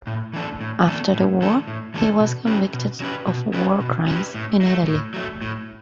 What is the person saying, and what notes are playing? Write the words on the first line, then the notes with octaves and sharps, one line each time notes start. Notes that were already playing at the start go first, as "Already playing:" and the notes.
After the war, he was convicted of war crimes in Italy.
A2
E3 A3 D4 A4
A2
E3 A3 D4 A4
A2
E3 A3 D4 A4
A2
E3 A3 D4 A4
B2
F#3 C#4 G4 B4
B2
F#3 C#4 G4 B4
B2
F#3 C#4 G4 B4
B2
F#3 C#4 G4 B4
A2
F#3 A3
A2
F#3 A3
A2